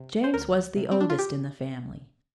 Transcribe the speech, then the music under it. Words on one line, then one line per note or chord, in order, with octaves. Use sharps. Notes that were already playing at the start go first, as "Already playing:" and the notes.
James was the oldest in the family.
Already playing: C3
C5
D2 A#4
C3
C4
D4
F4
G4